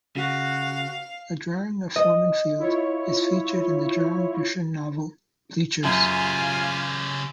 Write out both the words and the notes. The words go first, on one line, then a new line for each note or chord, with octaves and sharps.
A drawing of Foreman Field is featured in the John Grisham novel "Bleachers".
C#3 F#4 F5
D#5
E4 F4 C#5
F#2 C#3 F4 G4 G#5